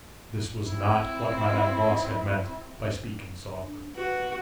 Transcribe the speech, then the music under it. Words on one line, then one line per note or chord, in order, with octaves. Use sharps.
This was not what Madame Voss had meant by speaking softly.
C4 E4
D4
F#4 B4